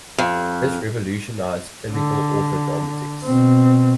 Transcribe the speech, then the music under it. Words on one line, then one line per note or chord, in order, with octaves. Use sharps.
This revolutionized clinical orthodontics.
F2
D3
B2 C4